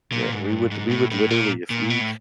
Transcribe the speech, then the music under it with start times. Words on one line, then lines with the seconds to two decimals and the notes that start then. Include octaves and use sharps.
Yeah, we would we would literally if we
0.12 A#2
0.32 G#2
0.52 G2
0.71 G#2
0.91 A2
1.11 A2
1.30 A#2
1.70 A#2
1.90 B2
2.01 A2